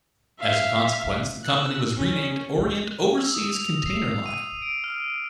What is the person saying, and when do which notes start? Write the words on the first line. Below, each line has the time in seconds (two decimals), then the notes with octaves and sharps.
As a consequence the company was renamed Orient Overseas Container Line.
0.39 E5 F5
1.44 E6 F#6
1.97 C#4
3.18 E6
3.35 D#6
3.53 F7
3.86 C7
4.26 D#7
4.62 D7
4.84 F6